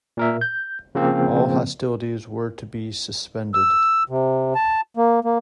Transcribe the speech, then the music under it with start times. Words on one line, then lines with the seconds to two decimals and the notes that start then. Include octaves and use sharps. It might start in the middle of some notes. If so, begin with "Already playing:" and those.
All hostilities were to be suspended.
0.17 A#2 A#4 E5
0.41 G6
0.95 C#3 F3 A#3 C4
3.54 E6
4.09 C3
4.55 A5
4.97 A#3
5.24 A#3